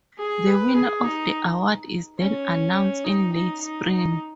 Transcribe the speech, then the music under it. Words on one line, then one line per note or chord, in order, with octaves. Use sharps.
The winner of the award is then announced in late spring.
G#4
B4
G#4
D#4
C#4
D#4
D#4
D#4
D#4